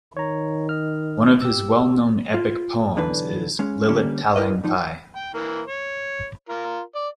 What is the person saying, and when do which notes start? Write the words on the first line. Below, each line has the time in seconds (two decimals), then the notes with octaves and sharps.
One of his well-known epic poems is "Lilit Taleng Phai".
0.17 D#3 C#5 A#5
0.69 D#5 F6
1.42 G4 E6
2.34 F4
2.97 B1 D3 E3 D4 B4
3.59 G#3 C#4
3.89 D3 G3 A#3 C#4
4.36 E4 A#4 B4 D#5
4.64 G#2 F3 D#4
5.16 G5
5.34 E3 A#3
5.68 C#5
6.50 F4 A#4
6.95 D5